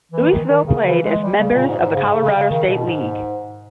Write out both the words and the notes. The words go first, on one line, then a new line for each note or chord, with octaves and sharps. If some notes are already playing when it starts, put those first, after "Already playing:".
Louisville played as members of the Colorado State League.
E3
D#3
D#3
C#3
E3
G#3
G3
C#3
A#2
G#2
G#2
C#3
C#3
C#3
C#3
D#3
B2
G#2